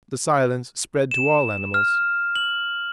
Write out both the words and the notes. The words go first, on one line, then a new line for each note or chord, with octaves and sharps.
The silence spread to all animals.
E7
F6
F#7